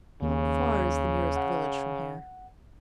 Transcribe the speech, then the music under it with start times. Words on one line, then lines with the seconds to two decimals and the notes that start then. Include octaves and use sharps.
"How far is the nearest village from here?"
0.22 D#2 C#3
1.36 F#5